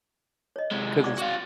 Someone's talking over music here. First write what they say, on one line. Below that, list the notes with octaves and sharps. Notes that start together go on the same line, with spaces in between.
'cause it's
C#5 D#5
C3 G#3
D5 F#5 D6
F#4 F5